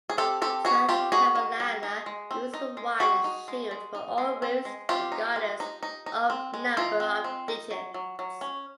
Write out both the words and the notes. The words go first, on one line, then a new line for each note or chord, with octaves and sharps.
South Carolina uses a wide shield for all routes, regardless of number of digits.
G#4
C4 G4 A4
C4 G4 A4
D#4 F#4 G#4
C4 F4 G4
D#4 F#4 G#4
D#3
G3
D#4
G#3
C4
D#4
G#3
C4 F#4 G#4
D#4
G#3
G#3
D#4
G#3
C4
G#3
C4 F4 G4
D#4
G#3
D#4
D#4
D#4
C4
G#3
E3 D#4 F4
C4
C4
D#4
F#3
F#3
F#3
C#4